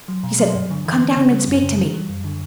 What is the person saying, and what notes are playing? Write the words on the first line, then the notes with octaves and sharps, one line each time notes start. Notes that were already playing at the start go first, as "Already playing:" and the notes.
He said, 'Come down and speak to me!
F#3
B2
F#3
G2
D3
E3
B3
C#3
G3
F#2
C#3
E3
G3
F#2
D3